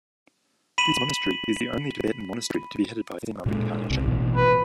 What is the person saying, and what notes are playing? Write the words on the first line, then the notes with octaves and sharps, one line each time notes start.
This monastery is the only Tibetan monastery to be headed by a female re-incarnation.
B5 B6 D#7 E7 F#7
A#2 G#3
C2 C3
A1 B2
B4